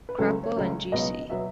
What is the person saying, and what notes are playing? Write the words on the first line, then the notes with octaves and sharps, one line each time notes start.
Crapo and G.-C.
B4
C#2 C#3 F#3 A3 A4
C#5
C#2 C#3 F#3 A3
C#2 B2 F#3 B3 D#5
B2 F#3 B3 E5